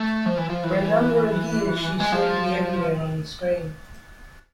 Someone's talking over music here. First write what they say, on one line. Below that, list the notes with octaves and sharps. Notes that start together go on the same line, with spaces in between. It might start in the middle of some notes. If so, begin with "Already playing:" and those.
For a number of years, she seemed to be everywhere on the screen.
Already playing: A3
F3
E3
F3
E3
G#3
F3